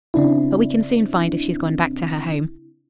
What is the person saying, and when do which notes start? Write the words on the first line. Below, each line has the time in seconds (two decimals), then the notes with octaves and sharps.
But we can soon find if she's gone back to her home.
0.14 C#3 C4 D4 E4